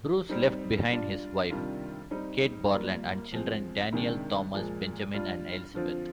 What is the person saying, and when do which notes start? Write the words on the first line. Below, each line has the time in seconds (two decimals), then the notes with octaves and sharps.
Bruce left behind his wife, Kate Borland, and children Daniel, Thomas, Benjamin and Elizabeth.
0.29 G3 C4 D#4
0.90 G3 D4 F4
1.50 C3 D#3 G3 D4 F4
2.11 G3 C4 D#4
2.71 G3 A#3 F4
3.32 F3 G#3 C4
3.92 C3 D#3 G#3 D4
4.54 A#2 F3 G#3
5.14 G3 D4 F4
5.74 D3 F3 C4 F4